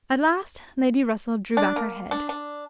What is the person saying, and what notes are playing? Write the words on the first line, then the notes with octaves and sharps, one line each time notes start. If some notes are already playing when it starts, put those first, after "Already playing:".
At last, Lady Russell drew back her head.
D4
A#3
D4
D4